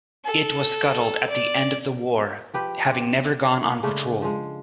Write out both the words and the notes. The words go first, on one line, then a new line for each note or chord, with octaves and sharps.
It was scuttled at the end of the war, having never gone on patrol.
A4
D5
F3 G4 B4 G5
C4 D5
A#3 C#5 F5
C#3 G#3 A3 D4
F3 G#3